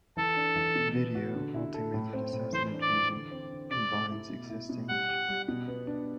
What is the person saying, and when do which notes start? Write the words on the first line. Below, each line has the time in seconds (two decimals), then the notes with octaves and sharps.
Video Multimethod Assessment Fusion combines existing metrics.
0.17 E3 A4
0.36 D4
0.56 E3
0.75 B2
0.96 B3
1.15 F#4
1.35 D3
1.54 E4
1.74 A4
1.94 A2
2.13 C4
2.33 A2
2.52 E3 C5
2.72 D4
2.82 D5
2.92 E3
3.12 D3
3.31 C4
3.51 D3
3.71 C3 D5
3.91 A3
4.10 E4
4.30 B2
4.50 E4
4.69 B2
4.89 G3 F#5
5.09 G4
5.28 G3
5.48 B2
5.68 B3
5.87 D4